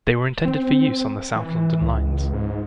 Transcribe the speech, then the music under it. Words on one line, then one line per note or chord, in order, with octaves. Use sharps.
They were intended for use on the South London lines.
C4
E3
C#2
G#2